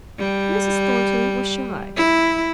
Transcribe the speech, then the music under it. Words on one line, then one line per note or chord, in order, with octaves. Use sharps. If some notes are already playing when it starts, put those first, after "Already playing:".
Mrs. Thornton was shy.
G3
E4